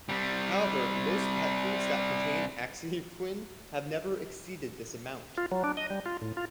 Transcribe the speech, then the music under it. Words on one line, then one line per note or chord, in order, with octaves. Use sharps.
However, most pet foods that contain ethoxyquin have never exceeded this amount.
C3 G3
F4
F#3
D4
D#5
G3
F4
A2
F4